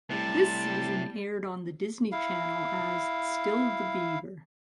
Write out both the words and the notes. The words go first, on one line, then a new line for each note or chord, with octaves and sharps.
This season aired on The Disney Channel as "Still the Beaver".
A2 C3 G3 A5
E4 F5